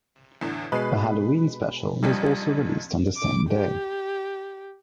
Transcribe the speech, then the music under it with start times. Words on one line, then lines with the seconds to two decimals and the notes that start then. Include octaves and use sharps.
A Halloween special was also released on the same day.
0.41 E2 A2 D3
0.72 B2 G#3 B4 C7
2.03 A#1 F2 G3 D#4
3.17 D6
3.51 G4